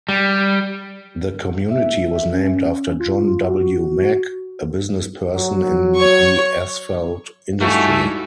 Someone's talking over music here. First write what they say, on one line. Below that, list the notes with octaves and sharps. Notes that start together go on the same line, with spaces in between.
The community was named after John W. Mack, a businessperson in the asphalt industry.
G3
E5
C#4
F4
F4
F#4
F#3
C#5 C#6
G2 G3 A3 D#4 E4 F#4 F5 G#5